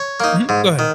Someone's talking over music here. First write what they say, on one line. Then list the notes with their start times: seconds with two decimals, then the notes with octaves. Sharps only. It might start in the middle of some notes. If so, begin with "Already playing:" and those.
Mhm, go ahead.
Already playing: C#5
0.20 A#3 D#4
0.49 G#2
0.79 D#3